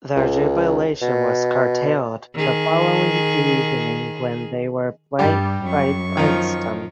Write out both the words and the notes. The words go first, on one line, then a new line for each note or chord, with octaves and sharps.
Their jubilation was curtailed the following evening when they were blanked by Princeton.
C#2
B2
D#3 G#4
G2 G3 G4
F#2 C#6
D#3 F3